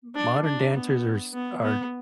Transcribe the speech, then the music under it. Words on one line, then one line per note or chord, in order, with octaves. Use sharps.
modern dancers are s are
D4
D4
B3
B3
B3